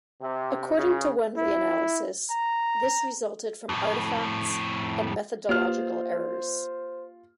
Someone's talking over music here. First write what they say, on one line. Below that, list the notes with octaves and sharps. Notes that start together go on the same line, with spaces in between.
According to one reanalysis, this resulted from artifacts and methodological errors.
C3
C#3
E4
A#5
F2 A2
A#3 F4 G4 B4 C5 F6